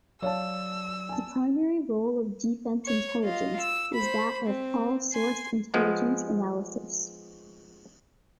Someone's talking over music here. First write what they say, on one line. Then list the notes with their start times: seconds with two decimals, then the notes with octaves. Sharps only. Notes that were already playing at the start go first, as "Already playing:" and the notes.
The primary role of Defence Intelligence is that of 'all-source' intelligence analysis.
0.22 F#3 C#5 D5 F5 A5 E6
1.09 G#5 A5
2.85 C#5
3.24 F4 D#5
3.60 E6
3.94 C5 B5
4.46 C4
5.13 G#5 C6
5.74 F3 G#3 B3